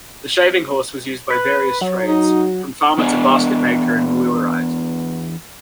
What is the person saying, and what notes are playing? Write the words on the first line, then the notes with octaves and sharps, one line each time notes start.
The shaving horse was used by various trades, from farmer to basketmaker and wheelwright.
B4
F#3
D#4
E2 B3 D4 D5 D#5 G#5